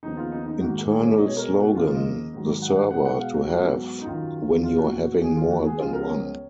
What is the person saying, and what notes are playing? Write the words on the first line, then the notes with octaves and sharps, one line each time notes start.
Internal Slogan: The server to have when you're having more than one.
D#2 C#3 F3 B3 D#4
F4
D#4
D#4
G#2 D#3 A#3 F#4
G#4
C#5
B2 G#3 B3 D#5
C#5
A#4
G#4
F#4
D#2 C#3 F3 A#3 F4
F4
D#5
G#2 D#3 F#3
F#5
F#5
B2 G#3 B3 F#5
F#5
F5
F#4
G#2 F#3 B3
D#4
F#2 D#3 F#3 F4
A#2 F3 B3 F4
F#4
D#2 D#3 A#3 G#4
F4
F#4
G#4
C#2 C#3 F3 B3 F4
A#4
C#5